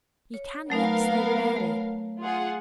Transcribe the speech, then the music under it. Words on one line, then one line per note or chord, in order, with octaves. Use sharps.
You can yet save Mary.
C#5
F#3 A3 B3 D#4 A#4 F5
A3 C#5
F4 G#4 F#5